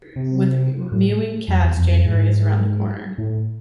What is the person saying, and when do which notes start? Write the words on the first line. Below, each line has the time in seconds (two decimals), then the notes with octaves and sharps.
With mewing cats, January is around the corner.
0.16 C3
0.92 A2
1.48 F2
1.62 E2
1.77 F2
1.91 F2
2.05 G#2
3.18 A2